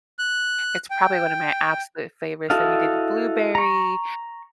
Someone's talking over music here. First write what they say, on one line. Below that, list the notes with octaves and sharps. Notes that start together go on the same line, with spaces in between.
It's probably one of my absolute favorites. Then we did blueberry,
F#6
G5
E4 F#4 A4 D#5 F5
A#5 C#6